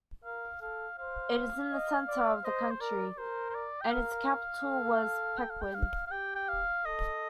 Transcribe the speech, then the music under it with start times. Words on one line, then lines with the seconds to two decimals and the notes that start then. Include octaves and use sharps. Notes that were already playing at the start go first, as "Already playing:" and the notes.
It is in the centre of the country, and its capital was Peqin.
0.24 A#4 F5
0.62 A4 F5
0.98 C5 F5
1.72 D#5
2.08 D5
2.45 C5 D#5
2.72 C5
2.81 A#4 D5
3.18 A#4 C5
3.50 C5
3.55 D5
3.81 G5
3.91 A#4 F5
4.65 A4
5.38 G5
5.50 F5
5.62 G5
5.75 F5
6.07 F5
6.12 G4 G5
6.36 G5
6.49 F5
6.85 A4 D#5